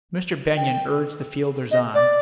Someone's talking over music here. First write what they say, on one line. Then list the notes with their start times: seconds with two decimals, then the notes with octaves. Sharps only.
Mr. Benyon urged the fielders on.
0.57 G5
1.71 D#5
1.94 D5